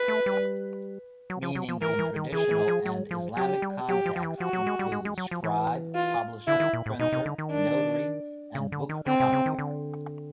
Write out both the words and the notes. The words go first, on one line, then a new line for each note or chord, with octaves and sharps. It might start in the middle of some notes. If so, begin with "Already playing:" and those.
Meanings in traditional and Islamic contexts include "scribe", "publisher", "printer", "notary" and "book-copier".
Already playing: B4
A3
G3
F#3
F3
F#3
F3
E3 A#4
E3
D#3
E3 G#4
E3
F3
F#3
F3
F#3 G4
G3
F#3 G4
F3
F3
E3
F3 F#4
F#3
G#3
G3
G#3
G#3
F#3
F3
E3
F4
D3 E4
D#3
A#2
A2
B2 D#4
C3
D3
D#3
D4
C#3
D3
D#3
D3 C4
C3
C#3
D#3
D3